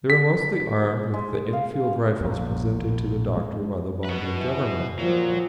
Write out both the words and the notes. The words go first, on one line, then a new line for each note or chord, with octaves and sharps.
They were mostly armed with the Enfield rifles presented to the Doctor by the Bombay Government.
B6
G#3
F5
A#1 E2
G#3
F#4 B4
E3
A#2 F3 F#3